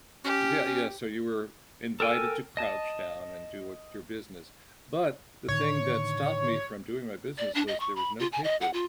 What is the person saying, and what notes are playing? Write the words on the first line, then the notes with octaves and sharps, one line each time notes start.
yeah yeah, so you were invited to crouch down and do what your business. But the thing that stopped me from doing my business was there was no paper.
C#4 G4
C#4
A4 A#4 G5 G#5 E6
D#5 A5
A2 D3 D#3 C#5
D5
D4
D#5
C#6
B5
F4
G#5
D#5
F#5
F4